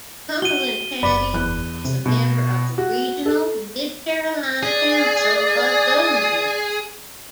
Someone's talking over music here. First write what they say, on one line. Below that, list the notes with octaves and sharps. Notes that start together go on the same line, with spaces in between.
Cumberland County is a member of the regional Mid-Carolina Council of Governments.
F#4 D#7 G7
F#1 D5 B5
E2 F#6
C3
B2
F#4
A4
G#4 D5